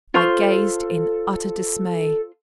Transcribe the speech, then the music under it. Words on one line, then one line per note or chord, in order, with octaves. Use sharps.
I gazed in utter dismay.
F4 A4 C5 C#6